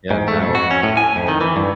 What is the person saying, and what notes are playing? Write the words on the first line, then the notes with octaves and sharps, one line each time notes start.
Yeah, and now
G#2
A3
F2
F#4
C#4
A2
G#5
F2
D#3
E3
G2